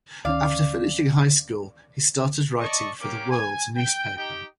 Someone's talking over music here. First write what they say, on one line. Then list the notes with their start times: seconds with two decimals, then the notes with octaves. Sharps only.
After finishing high school he started writing for "The World" newspaper.
0.25 D2 D#3 C#4 D5 F5
2.60 D5 D#5 A5 C#6
3.00 A#3 C#4 G4 A#4 D5 D6
3.31 G#5
3.76 G5
4.16 D#4 G4 G5